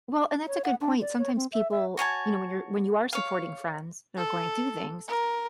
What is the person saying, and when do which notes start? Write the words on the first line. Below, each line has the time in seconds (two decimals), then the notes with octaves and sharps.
Well, and that's a good point, sometimes people, you know, when you're when you are supporting friends, they're going through things.
0.47 C#5
0.64 F#5
0.81 D4
1.01 D5
1.18 C#5
1.36 C4
1.53 E5
1.71 E5
1.97 F#4 C#5 G#5 A5
3.13 C#5 F5
4.17 A4
5.08 A#4